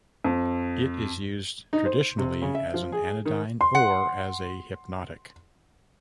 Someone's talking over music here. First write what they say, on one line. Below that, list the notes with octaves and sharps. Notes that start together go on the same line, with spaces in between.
It is used traditionally as an anodyne or as a hypnotic.
F2
D#4
C5
C3
C#3
E5
F3
G#4
D#3
C6
F#5